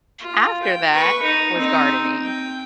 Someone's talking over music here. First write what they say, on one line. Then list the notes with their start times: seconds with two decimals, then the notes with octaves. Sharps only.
after that was gardening,
0.21 F4
0.63 G5
0.93 B4 C#6
1.22 D#4
1.57 C4 D#4
2.23 G5